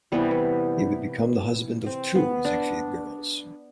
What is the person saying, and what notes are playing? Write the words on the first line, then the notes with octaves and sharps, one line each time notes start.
He would become the husband of two Ziegfeld girls.
C3 E3 G3 B3
B3
C4
B3
D4